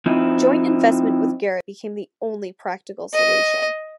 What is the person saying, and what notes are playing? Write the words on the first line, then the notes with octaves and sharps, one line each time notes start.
Joint investment with Garrett became the only practical solution.
F3 C4 D#4 E4
D#5